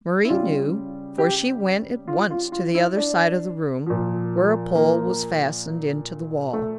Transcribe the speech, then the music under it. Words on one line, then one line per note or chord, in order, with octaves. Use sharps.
Mari knew, for she went at once to the other side of the room where a pole was fastened into the wall.
E4
C#3 G3 F4
G4
F4
F4
F4
E4
D4
A#2 F3
A#3
A3